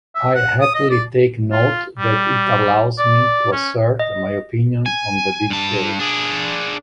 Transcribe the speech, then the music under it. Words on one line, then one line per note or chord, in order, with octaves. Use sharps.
I happily take note that it allows me to assert my opinion on the big day.
E5
F#5
D#6
D#5
D5
F4
G3
D5
C#4
D#5
G#5
G2 A5
D4 G#4